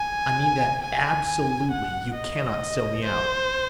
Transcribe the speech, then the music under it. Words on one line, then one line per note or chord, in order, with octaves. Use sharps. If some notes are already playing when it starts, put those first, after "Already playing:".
I mean that ab-so-lute-ly you cannot sell me out.'
Already playing: G#5
G#5
F#5
D#5
C5